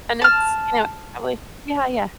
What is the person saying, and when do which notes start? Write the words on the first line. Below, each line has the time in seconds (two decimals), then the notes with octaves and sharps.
And it's, you know, probably Yeah, yeah.
0.22 A5 F6